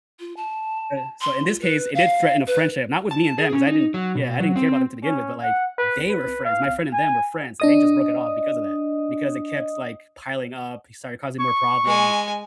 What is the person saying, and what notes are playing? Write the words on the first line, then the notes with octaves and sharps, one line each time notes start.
Uh, so, in this case, it did threaten a friendship- not with me and them 'cause I didn't yeah, I didn't care about them to begin with- but, like, they were friends- my friend and them were friends- and they just broke it off because of that because it kept, like, piling up, he started causing more problems,
F4
A5
C6
F4
B4
F5
B4
A5
G#4
C#4
D#4
F#3
B2
F#3
C4
C#4
F#5
B4
B4
F5
G#5
D4 D#5 D#6
C#6
G#3 G#5